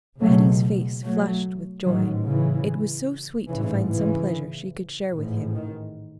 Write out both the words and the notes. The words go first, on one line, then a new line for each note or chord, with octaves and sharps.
Mattie's face flushed with joy; it was so sweet to find some pleasure she could share with him.
C#2 B2 F#3 A3
F#3 A3
A1 G#2 D#3 F#3
C#3 E3
A1 G#2 C#3 E3
C#3 E3
A1 G#2
D#3